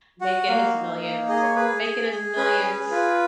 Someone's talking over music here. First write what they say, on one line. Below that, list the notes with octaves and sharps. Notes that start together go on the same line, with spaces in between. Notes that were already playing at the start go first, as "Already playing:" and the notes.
Making his millions. Making his millions.
F#4 F#5
A#3 F5
D#4
A#3
G#4 D#5
C#5
G#4 B4
G#4
G#4
C#4 B4
G#4
F4 B4